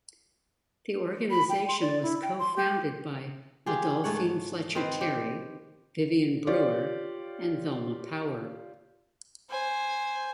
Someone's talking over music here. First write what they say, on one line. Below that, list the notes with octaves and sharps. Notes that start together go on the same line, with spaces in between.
The organization was co-founded by Adolphine Fletcher Terry, Vivion Brewer, and Velma Powell.
B5
G5
C6
D5
E4
G5
C6
G4
F4 G4 G#4
G#2 A3 C#5 F#5
D#3 C4 B4
G4
F4 G4 C#5 D5
C5 G#5